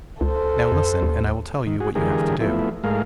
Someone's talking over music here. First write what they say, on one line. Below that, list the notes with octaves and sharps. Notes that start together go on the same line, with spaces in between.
'Now listen, and I will tell you what you have to do.'
C#2 A4 C5
F2
D#2
D#3
F#4 G#4
D3 E3 G#3 G4 G#4 A#4
F3 A3 B3 E4
G#2 G#3 A3 A#4 F5